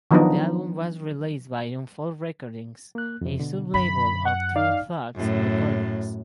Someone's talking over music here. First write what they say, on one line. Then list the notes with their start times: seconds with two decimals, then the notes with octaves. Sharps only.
The album was released by Unfold Recordings, a sub-label of Tru Thoughts Recordings.
0.11 D#3 F3 F#3 B3 D4 D#4
2.95 A#3 F#6
3.21 F2 C3
3.40 B2 D3
3.74 F#2 B5
4.25 F#5
4.56 D#4 D5 F5
5.16 F#2 A2